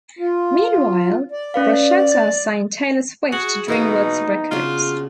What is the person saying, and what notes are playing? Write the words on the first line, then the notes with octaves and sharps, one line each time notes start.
Meanwhile, Borchetta signed Taylor Swift to DreamWorks Records.
F4
D5
C#4 B4 F5
A6
F#4 G#4
B2 E3 A#3 B3 D#4
C#3 D4 F4 F#4